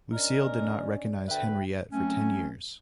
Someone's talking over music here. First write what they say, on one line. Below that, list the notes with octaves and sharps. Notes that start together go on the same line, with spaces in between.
Lucile did not recognize Henriette for ten years.
C#4 D4 A#4 D5 D#5
D2 B4 E5 G5
F#3 A3 C4 C#4